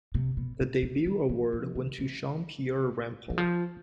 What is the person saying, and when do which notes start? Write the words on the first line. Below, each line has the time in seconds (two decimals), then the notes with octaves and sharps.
The debut award went to Jean-Pierre Rampal.
0.15 C3
0.37 B2
0.60 A#2
0.83 A#2
0.97 E3
1.06 D#3
1.29 E3
1.53 F3
1.75 D#3
1.98 E3
3.30 E3
3.38 F3